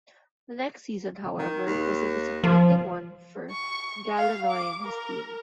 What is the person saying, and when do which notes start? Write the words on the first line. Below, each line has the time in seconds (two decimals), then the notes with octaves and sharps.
The next season however was a disappointing one for Ghalenoi and his team.
1.39 D#3
1.66 D#2
2.44 F3
3.51 C#6
4.17 F5
4.50 D6
4.84 A#4